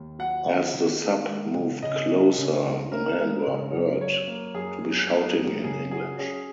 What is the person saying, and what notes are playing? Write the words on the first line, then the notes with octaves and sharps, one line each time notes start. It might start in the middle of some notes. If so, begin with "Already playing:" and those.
As the sub moved closer, the men were heard to be shouting in English.
Already playing: D#2
F#3 F#5
D#3
D#3
A#3
G#3
C#3
C#3 D#5
C#4
C#3
C#2
C#4 A#4
G#3
C#3
F#2
F#2 C#5
A#3
F#2 G#4
F#2
A#3
F#2
C#3 G#4
F#3 G#4
C#4 G#4